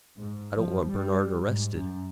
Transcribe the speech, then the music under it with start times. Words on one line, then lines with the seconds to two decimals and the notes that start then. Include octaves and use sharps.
"I don't want Bernard arrested."
0.18 G#2
0.56 F3
0.89 G3
1.43 G#2
1.74 F#2